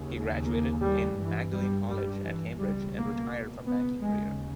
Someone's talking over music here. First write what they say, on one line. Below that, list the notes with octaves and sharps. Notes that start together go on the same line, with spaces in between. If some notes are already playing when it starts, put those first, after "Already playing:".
He graduated in Magdalene College at Cambridge and retired from banking career.
Already playing: D#2 C#3
A#3
G3
G2 E3
G3
G3
E3
C#2 B2 G3
A#3
B3
D#2 C#3 G#3